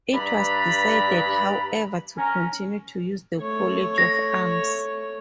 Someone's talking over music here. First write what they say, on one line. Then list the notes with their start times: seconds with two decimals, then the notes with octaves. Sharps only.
It was decided however to continue to use the College of Arms.
0.13 G2 B4 D5 A#5 B5
2.17 C#4 A#4
3.40 A3 C#5
3.98 A#6